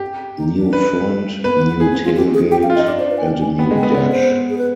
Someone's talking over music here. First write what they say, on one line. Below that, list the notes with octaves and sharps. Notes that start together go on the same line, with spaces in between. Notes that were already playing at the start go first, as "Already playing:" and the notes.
New front, new tailgate and a new dash.
Already playing: G4
D#4
D4
B4
B3 B4
B3
B3
B3 G#4
C4
F4
G4
G#4
G4 G5
F5
F4
D#5
D#4
D4 D#5
C5
B4
G#5
G5
G#5
B3 G5
G#3
G5
B3
B3 D5
C5
G#4
B4